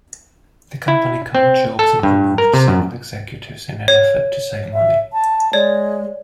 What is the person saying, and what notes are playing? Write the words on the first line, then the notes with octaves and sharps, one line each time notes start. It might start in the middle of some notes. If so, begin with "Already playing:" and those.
The company cut jobs and removed several executives in an effort to save money.
E4
C4
A4
G2
A#4
C3
F#2
C#5
E5
A5
G#3 C#5 D5